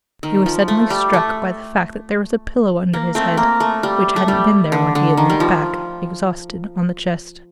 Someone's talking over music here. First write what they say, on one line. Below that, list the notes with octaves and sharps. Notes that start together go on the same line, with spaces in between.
He was suddenly struck by the fact that there was a pillow under his head, which hadn't been there when he had leant back, exhausted, on the chest.
D#3
F3
A3
G3
A3
A#3
A3 C4
A#3
A3
G3
A3
G3
D3
D3
D#3
G3
F3